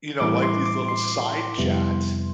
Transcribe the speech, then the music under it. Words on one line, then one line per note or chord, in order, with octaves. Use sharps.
you know, like these little side chats
A2 E3 G3 C4 E4 D6
C6
D6
C6
F2 C3 G3 B3 E4